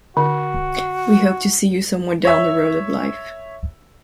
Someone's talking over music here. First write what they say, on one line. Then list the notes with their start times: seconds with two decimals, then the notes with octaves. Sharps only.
We hope to see you somewhere down the road of life.
0.17 D3 F#4
2.25 C#5 E5